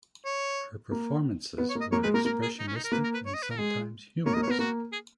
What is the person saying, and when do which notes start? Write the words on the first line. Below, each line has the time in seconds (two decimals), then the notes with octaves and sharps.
Her performances were expressionistic and sometimes humorous.
0.25 C#5
0.91 A#3
1.58 B3
1.70 C#5
1.75 A#3
1.81 D#5
1.92 A#3 C#5
2.03 G#3 B4
2.14 A#3 A#4
2.25 A#3 A#4
2.42 G#4
2.59 D#4
2.67 C#4
2.75 D#4
2.84 A#4
2.92 A#3 B4
3.04 A#4
3.14 B4
3.26 C#5
3.34 D#5
3.42 B4
3.50 A#4
3.58 G#3 G#4
4.26 A#3 C#5
4.34 D#5
4.37 A#3
4.43 C#5
4.48 B3
4.51 A#4
4.59 A#3 F#4
4.92 G#4